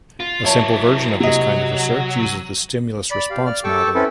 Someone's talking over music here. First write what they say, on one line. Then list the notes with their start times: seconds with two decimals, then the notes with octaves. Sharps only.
A simple version of this kind of research uses the stimulus-response model.
0.20 F4
0.45 F#3 E4 C#5 A5
1.20 C3 F#3 D#5
2.23 D#7
3.11 D5 B5
3.30 G4 F5
3.46 D5 F6
3.64 G4 A4 G5 C#6 D6 E6
3.94 C4 C#4 E4 A4 B4